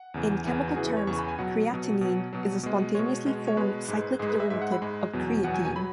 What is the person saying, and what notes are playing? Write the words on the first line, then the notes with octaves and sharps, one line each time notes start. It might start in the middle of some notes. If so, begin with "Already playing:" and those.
In chemical terms, creatinine is a spontaneously formed cyclic derivative of creatine.
Already playing: F#5
E2 C#3 E3
E2 C#3 E3 G#5
F#4
E2 C#3 E3 G#4
B4
C#5
E2 C#3 E3 C#6
B5
G#5
B2 F#3 F#5
B2 F#3
B2 F#3
B2 F#3
B2 G#3
B2 G#3 C#5
B2 G#3
C#5
B2 G#3 B4
G#2 G#3
G#2 G#3 G#4
B4
E5
G#2 G#3 E5
F#5
B5
G#2 G#3
E2 B2 F#3
E2 B2 F#3 F#5
G#5
G#5
F#3 B5